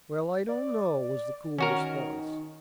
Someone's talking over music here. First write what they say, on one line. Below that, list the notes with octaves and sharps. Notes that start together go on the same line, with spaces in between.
"Well, I don't know," was the cool response.
D5
D#3 C#4 F#4 A#4